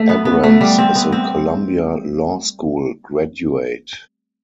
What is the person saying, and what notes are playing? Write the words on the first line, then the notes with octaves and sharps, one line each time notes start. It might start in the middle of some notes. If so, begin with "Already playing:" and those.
Abrams is a Columbia Law School graduate.
Already playing: A3
B3
B3
A3
G3
C4
B3
C4